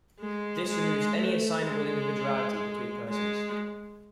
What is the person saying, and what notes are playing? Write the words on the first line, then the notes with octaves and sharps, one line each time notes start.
This removes any assignable individuality between persons.
G#3
G#3
A3
G#3
G#3